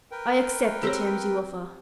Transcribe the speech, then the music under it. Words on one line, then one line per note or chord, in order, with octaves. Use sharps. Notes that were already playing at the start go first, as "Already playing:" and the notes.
I accept the terms you offer.
A#4 B4 G5
C4 G4 G#4 C#5